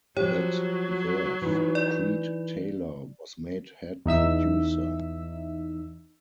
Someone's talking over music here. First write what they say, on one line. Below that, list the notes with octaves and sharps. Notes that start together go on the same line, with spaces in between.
At Verve, Creed Taylor was made head producer.
F3 F#3 G4 C#5
E3 D#4
D5
E2 D#4 E5 E6